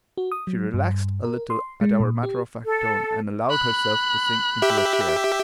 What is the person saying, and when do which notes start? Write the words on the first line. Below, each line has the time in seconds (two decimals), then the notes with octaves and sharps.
She relaxed a little at our matter-of-fact tone, and allowed herself to sink into a chair.
0.17 F#4
0.32 D#6
0.47 F#3
0.74 G2
1.24 A#4
1.50 C6
1.81 G#3
2.00 A#2
2.23 G4
2.64 A4
3.50 B5 F#6
4.62 G4 E5